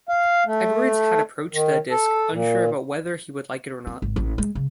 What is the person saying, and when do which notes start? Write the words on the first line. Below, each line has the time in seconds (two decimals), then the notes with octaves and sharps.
Edwards had approached the disc unsure about whether he would like it or not.
0.09 F5
0.46 A3
1.53 D#3
1.90 A4
2.31 A#2
3.87 C4
4.02 G#1
4.16 A1
4.38 G#3
4.55 C#3